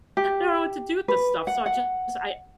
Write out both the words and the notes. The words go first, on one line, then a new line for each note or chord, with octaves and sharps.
don't know what to do with this stuff. So I just I
G4
B4
F#5
F#5